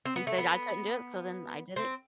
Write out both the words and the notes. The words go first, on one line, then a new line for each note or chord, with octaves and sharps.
He said I couldn't do it, so then I did it.
C4
B3
A3
B3
C4